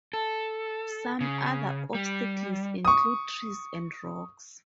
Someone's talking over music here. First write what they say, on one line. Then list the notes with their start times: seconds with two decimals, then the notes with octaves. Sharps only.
Some other obstacles include trees and rocks.
0.13 A4
1.21 C#3
1.94 G3
2.85 C#6 D#6